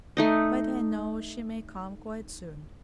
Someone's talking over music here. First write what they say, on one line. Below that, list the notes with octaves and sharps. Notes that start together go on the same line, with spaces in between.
But I know she may come quite soon.
A3 D#4 D#5